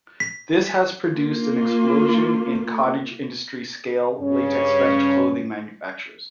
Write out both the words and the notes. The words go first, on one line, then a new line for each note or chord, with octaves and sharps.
This has produced an explosion in cottage industry scale latex fetish clothing manufacturers.
B6
A#3 F4
G2 C#3 C#4